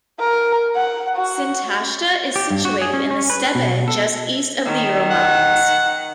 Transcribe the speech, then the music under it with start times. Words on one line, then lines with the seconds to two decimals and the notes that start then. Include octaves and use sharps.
Sintashta is situated in the steppe just east of the Ural Mountains.
0.20 A#4
0.76 F#5
1.16 F#4
2.36 G4
2.50 G2
2.65 F#4
2.82 G#4
2.94 C#4
3.10 C#4
3.30 B4
3.55 B2
3.88 A4
4.66 D#3
5.10 F#5